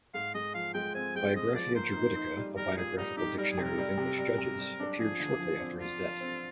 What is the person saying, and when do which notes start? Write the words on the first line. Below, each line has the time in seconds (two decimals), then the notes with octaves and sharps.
"Biographia Juridica, a Biographical Dictionary of English Judges", appeared shortly after his death.
0.14 G#2 F5
0.34 G#3 D#5
0.54 F3 F5
0.74 G#3 G5
0.94 C4 G#5
1.15 G#3 G5
1.35 C4 D#5
1.55 F3 D5
1.75 A#3 C5
1.96 D#4
2.16 D#4
2.36 G3
2.57 G3 A#4
2.76 A#2 G#4
2.97 G3 D#4
3.17 D#4 G4
3.38 G3 A#4
3.51 G#4
3.58 C3
3.64 A#4
3.78 G3
3.98 C3
4.18 G3 A#4
4.38 C3
4.58 G3
4.80 D4
5.00 F3 G#4
5.20 D3
5.39 F3
5.59 C4
5.80 F3 F4
6.01 F3
6.21 C4